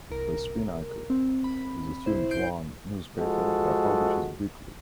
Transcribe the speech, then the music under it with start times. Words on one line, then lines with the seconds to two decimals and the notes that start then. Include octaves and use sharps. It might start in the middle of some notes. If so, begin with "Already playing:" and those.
"The Spinnaker" is the student-run newspaper that publishes weekly.
0.11 C2 A#4
1.10 C4
1.44 B5
2.06 C2 E4 C5
2.31 G6 C7 D7
3.17 F3 G#3 F#4 A4